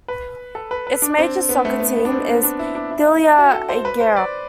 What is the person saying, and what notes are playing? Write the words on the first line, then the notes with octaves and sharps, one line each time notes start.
Its major soccer team is Thyella Aigeira.
B4
A4
B4
B4
D4
C4
B3
A3
B3
B3
D4
C4
B3
D4
E4
D4
E4
F#4
A4
C5
B4
C5
D5